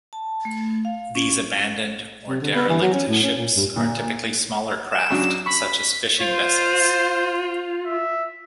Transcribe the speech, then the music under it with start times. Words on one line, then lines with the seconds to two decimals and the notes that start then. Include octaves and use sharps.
These abandoned, or derelict ships are typically smaller craft, such as fishing vessels.
0.13 A5
0.45 A3
0.85 F5
1.15 C#4
2.28 C3
2.41 D3
2.55 B3
2.69 E3
2.81 F#3
2.94 C#4
3.08 A2
3.23 C#4
3.37 A#2
3.55 G2
3.76 A#2
4.92 E7
5.10 C#3 F#3 D4
5.46 B5 C#6
5.78 B6
6.20 F4 C5
7.85 E5